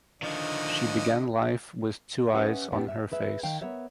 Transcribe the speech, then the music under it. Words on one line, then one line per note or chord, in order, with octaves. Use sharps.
She began life with two eyes on her face.
D3 D#3 F3 D#5
C#4 G4 B4 D#5 E5 F#5
B3 C4 D4 G4
E5
G#4 B4 E5
D#3 F5 G5
B3 A#4 C#5 E5